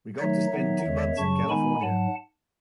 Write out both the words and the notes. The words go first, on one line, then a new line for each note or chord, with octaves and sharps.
We got to spend two months in California.
D#3 F#3 A3 D#4 C#5 E5
D#3 F#3 B3 D#4
E2 D#3 G#3
F#2 C#3 F#3 A5 C#6
D#3 G#3 B3 D#4 G#5 B5
G#2 F#3 F#5 A5